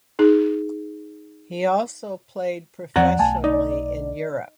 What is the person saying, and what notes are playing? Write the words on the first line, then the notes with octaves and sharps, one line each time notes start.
He also played professionally in Europe.
D#4 G#4
E2 F3 C4 C#4 D5 F#5 A#5
B1 A3 G#5 A5
D#4 D5